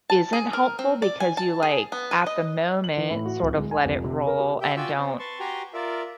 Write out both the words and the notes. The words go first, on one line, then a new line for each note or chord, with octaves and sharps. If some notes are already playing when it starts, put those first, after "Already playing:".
Isn't helpful because you, like, at the moment, sort of let it roll and don't
A5
G#4
A#4
C4
D5
G#5
A5
G#4
B3
B4
D#5
F#7
E3
A2
F#4
D1
G#3
G#5
F1
C3
A#4
G4
G4 E5 G5
F4 F#4 D5 G5 G#5 E6
C4
B4 A5 C6 C#6
F#4 G4 G5 G#5 A#5 C6
F4 A#4 D5 E5